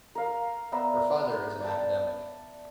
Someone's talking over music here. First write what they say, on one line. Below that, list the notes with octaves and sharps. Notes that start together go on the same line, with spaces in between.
Her father is an academic.
A#4 F5
B3 D5 E5 A#5
D5 A5